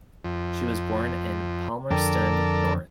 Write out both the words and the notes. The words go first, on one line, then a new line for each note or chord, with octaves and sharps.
She was born in Palmerston North.
F2
F2 D3 A4 A#4 D5 G5